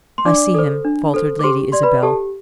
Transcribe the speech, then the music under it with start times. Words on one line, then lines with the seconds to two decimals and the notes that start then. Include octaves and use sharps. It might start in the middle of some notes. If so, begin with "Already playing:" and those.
"I see him," faltered Lady Isabel.
0.18 C6
0.25 D4 D5 D6
0.54 A4 C5
0.85 D4
1.14 A4 C5
1.39 D6
1.43 G4 C5 C6
1.72 D5 C6
1.83 B4 B5
2.02 G4 A4 A5